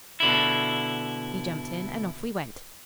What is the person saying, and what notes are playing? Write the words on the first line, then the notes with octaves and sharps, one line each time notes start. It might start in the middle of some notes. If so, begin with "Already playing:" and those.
He jumped in and off we went.
B2 D3 E4